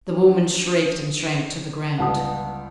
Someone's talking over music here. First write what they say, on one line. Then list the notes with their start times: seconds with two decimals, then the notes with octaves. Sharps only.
The woman shrieked and shrank to the ground.
0.10 D4
1.98 G1 C#2 F#5 A5 D#6